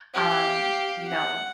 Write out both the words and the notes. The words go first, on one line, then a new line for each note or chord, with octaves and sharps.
um, you know,
G4 F5
F#5